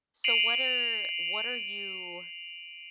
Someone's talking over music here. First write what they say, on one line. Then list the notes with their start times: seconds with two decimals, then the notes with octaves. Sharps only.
So, what are what are you
0.24 C7 D7 D#7 F7 F#7